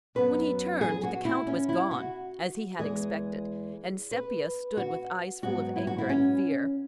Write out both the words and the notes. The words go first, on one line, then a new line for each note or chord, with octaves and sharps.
When he turned, the Count was gone, as he had expected, and Sepia stood with eyes full of anger and fear.
F#2 F#3 B3 B4
G#4
F#4
E4
C#4
E4
F#4
E2 E3 G#3 G#4
B4
F#4
G#2 F#3 B3 F#4
E4
F#4
E4
C#4